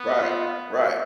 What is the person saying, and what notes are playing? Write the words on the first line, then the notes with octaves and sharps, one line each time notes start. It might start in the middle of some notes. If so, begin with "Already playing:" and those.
right. Right.
Already playing: B3
F4